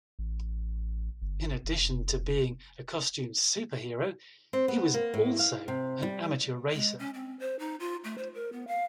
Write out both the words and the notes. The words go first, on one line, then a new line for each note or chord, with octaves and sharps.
In addition to being a costumed superhero, he was also an amateur racer.
A1
G1
F1
C4
B3
A#3
A2
F5
C3
G3
G#3
C#4
C4
C5
D#4
F4
A3
C5
A#4
B3
F5